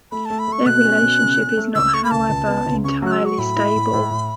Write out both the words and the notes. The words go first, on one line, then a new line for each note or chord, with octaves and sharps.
Their relationship is not, however, entirely stable.
A3 B5
A3 A5
B5
A3 C#6
B2 F#6
C#4
B2
C#3
C#4
A3
C#2 E6
A3 C#6
B5
C#2 A5
C#2
B3
C#2
C#3 C#6
F#3 F#6
E6
F#3 C#6
A2 B5
E4
A2
A2
A2